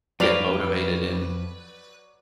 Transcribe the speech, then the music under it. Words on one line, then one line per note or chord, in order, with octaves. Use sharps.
get motivated in
F2 F#3 B4 C#5 D5 F5 G5